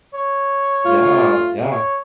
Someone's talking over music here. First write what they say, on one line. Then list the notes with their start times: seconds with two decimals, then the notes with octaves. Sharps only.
Yeah, yeah.
0.14 C#5
0.85 A3 F4
1.71 C#5